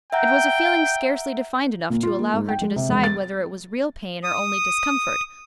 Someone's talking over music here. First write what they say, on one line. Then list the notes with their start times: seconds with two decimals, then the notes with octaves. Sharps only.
It was a feeling scarcely defined enough to allow her to decide whether it was real pain or only discomfort.
0.12 E5 F#5 G5 A#5
1.90 A#2
2.03 F4
2.19 A#3
2.34 G#2
2.49 G5
2.62 G#3
2.76 C3
2.89 E1
3.04 A6
4.23 D#6